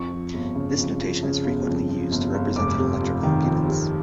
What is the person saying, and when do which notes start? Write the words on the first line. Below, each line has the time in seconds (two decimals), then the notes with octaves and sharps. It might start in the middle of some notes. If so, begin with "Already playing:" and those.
This notation is frequently used to represent an electrical impedance.
Already playing: F2 C#6
0.11 F3
0.34 G1
0.55 C#3
0.78 F2
1.00 F3
1.23 C#3
1.45 G1
1.67 F2
1.89 F3
2.11 G1
2.34 G1
2.56 F1 D6
2.79 C3
3.01 F2
3.23 D#3
3.45 F2
3.68 C3